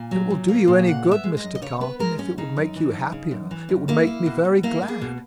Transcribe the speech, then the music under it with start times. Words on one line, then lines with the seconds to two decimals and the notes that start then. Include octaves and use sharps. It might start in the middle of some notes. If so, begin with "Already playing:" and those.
"If it will do you any good, Mr. Carton, if it would make you happier, it would make me very glad!"
Already playing: A#2 G#5
0.11 F#3
0.30 A#2
0.48 A#3
0.68 A#2
0.87 C#3 F#5
1.05 B3
1.11 E5
1.24 G#3
1.37 D#5
1.44 F#2
1.55 D#5
1.62 C#3 C#5
1.81 B3 B4
1.99 G#3 A#4
2.18 F#2 C#4
2.38 C#3 D#4
2.57 F#2
2.76 E3
2.94 F#2
3.12 C#3
3.31 F#2
3.51 E3
3.69 F#2
3.88 A#3 E4
4.07 A#3
4.26 B2
4.45 B2
4.63 A#3 E4
4.82 A#3
4.88 G#4
5.01 B2